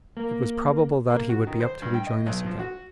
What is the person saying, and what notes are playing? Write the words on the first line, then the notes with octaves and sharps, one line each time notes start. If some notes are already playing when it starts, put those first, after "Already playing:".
It was probable that he would be up to rejoin us again.
A#3
A#3
F#4
D#3
C5
G2
G5
D#5
B1
F3
F#4